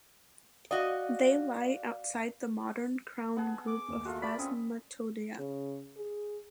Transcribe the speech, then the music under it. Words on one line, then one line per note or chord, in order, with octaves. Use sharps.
They lie outside the modern crown group of Phasmatodea.
F#4 D5 D#5 F5
B3 G#4 F#5 A5
D6
D#2
G#3 A3 F4 F#4
D5 B5 B6
C4 C#4 D#6
C#3
G#4